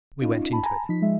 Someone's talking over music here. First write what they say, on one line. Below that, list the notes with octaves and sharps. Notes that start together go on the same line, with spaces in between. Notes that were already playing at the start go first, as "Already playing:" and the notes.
We went into it.
C#4 D#4 F4
A5 B5
G#5 A#5
F3 D#4 B6
G#3 E5